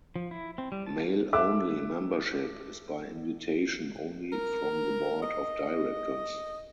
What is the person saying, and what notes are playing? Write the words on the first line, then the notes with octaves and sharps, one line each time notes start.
Male-only membership is by invitation only from the board of directors.
F3
E4
C4
G3
A5
A4 E5 D6 E6 F#6
A#4
D#5